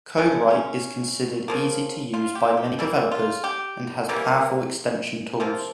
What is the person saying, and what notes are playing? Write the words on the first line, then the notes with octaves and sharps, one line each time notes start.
CodeWright is considered easy to use by many developers and has powerful extension tools.
C#3 F3 A#3 C#4
C#4
C#3 F3 A#3
F4
G4
G4
E3 G3 A#3 E4
F4
G4
C3 E3 G3 A#3
C3 F3 A#3 F4